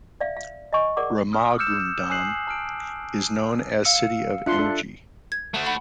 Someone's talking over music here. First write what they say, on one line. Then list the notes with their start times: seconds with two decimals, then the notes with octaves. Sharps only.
Ramagundam is known as city of Energy.
0.21 D5 E5 F5
0.37 F5
0.73 D#5 G#5 C#6
0.97 G#4 A#4 D5 F#5 D6
1.33 D#6 F6
1.58 D6 E6 F6 G6 C#7 E7
2.10 G#5 D#6 F#6 C7 F#7
2.47 A5 F6 D7
3.85 F5 E6 C#7
4.46 D4 F4 E5 C6 F#6 C#7
4.59 D4 A4
5.32 G#6
5.54 A3 F#4
5.66 F#5 B5